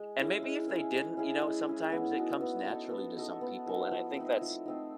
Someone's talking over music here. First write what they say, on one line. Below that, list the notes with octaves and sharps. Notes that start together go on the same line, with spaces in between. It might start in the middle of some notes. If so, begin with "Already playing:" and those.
and maybe if they didn't, you know, sometimes it comes naturally to some people, and I think that's
Already playing: G#3
C#4 E4 G#4
G#3
C#4 E4 G#4
G#3
C#4 E4 G#4
G#3
C#4 E4 G#4
B3
D#4 F#4 A4
B3
D#4 F#4 A4
B3
D#4 F#4 A4
B3
D#4 F#4 A4
F3
A3 C4 D#4
F3
A3 C4 D#4